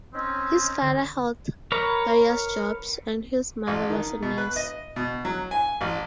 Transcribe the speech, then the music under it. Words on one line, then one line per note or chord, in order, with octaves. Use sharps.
His father held various jobs, and his mother was a nurse.
C4 C#4 D#4
D3 C4 D4
A#4 B4 C#5 A#5
A1
D#3
B2
B4
D#5
B2
F#3
G#5
A1